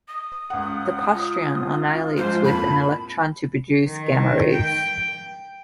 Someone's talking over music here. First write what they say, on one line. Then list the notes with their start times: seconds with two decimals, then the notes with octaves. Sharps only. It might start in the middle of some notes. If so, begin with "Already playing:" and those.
The positron annihilates with an electron to produce gamma rays.
0.08 D#6
0.50 C#2 F#5
1.14 F4
2.17 G#2 F3 G#3 C5
2.44 F2 A#2 A5 B5
3.88 D#3
4.53 G5